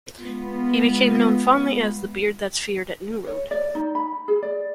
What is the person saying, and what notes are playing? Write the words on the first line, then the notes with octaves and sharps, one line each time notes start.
He became known fondly as "the beard that's feared" at New Road.
G#3 B3 F4
C#5
D5
D#4
B5
G#4
D5